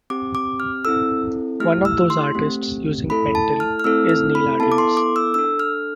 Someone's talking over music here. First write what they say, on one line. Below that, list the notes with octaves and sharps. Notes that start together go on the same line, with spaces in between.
One of those artists using Pentel is Neal Adams.
C4 G4 D6
D6
F6
C4 E4 A4 E6
A3 E4 G4 F6
E6
C6
A3 C4 G4
A3 E4 A4 B5
A5
F6
F6
A3 C4 E4 A4 E6
F6
B5
B3 E4 A4 A5
D6
C6
D6
E6
D4 A4 E6
F6